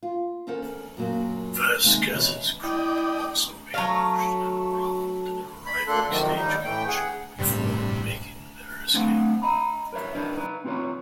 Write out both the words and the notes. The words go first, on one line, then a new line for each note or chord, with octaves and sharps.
Vasquez's group also ambushed and robbed an arriving stagecoach before making their escape.
F4
E2 C#4 A4 A#4 C5 F#5
F#2 A#2 F#3 A#4
D#2 C3 G#3 C4 D#4 G#5
B2 E3 C4 C#5 D#5
E4 D5 D#5 G5
F#3 A3 F5
B5
D2 A#3 D4 A4 C6 F#6
F2 C3 D#3 F#3
D#2 G3 D#4
A2 E3 A3 G5
G#4 F#5
A1 G2 C3 G3
A3 C4 D4 C5 F5 F#5
D#5 A#5 B5
A#4 B4 C#5 E5
D4 A#4 B4 D5 D#5
D#4 B4
C4 D#4 F4 B4 C#5